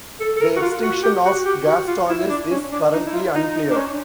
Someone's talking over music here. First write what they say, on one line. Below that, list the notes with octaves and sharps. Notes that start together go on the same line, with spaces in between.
The extinction of "Gastornis" is currently unclear.
A4
A4
A#4
F#4
F4
F#4
G4
F#4
G4
F#4
F4
E4
D4
C#4
D4
D#4
E4
F4
D#4
D#4
D4
C#4